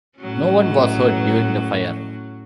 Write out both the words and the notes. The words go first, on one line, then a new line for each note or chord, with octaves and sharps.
No one was hurt during the fire.
A2 F#3 C#4